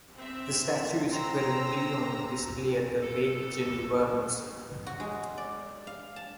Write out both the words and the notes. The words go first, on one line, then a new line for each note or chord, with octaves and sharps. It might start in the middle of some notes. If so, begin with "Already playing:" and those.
The statue is currently on display at the Lake Geneva Museum.
C4 E5
C4 A#5 C6 E6 A#6
A4
F#4
G#3
D5
F5
A5